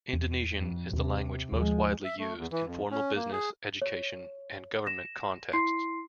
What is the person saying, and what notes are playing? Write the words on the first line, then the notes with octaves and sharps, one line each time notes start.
Indonesian is the language most widely used in formal business, education and government contexts.
E2
F2
D#2 C3
D#2 F3 G#3
E5
A3
E2
E3
F2
C#4
A#3
G#4
C#5
A#6 E7
E4 C6 C7